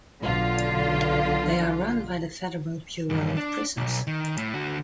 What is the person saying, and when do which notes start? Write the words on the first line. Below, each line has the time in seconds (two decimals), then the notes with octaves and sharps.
They are run by the Federal Bureau of Prisons.
0.22 B1 D3 F4
3.10 E2 G2
3.37 D4
3.77 B1
4.07 D#3
4.38 A2
4.54 D3 F#4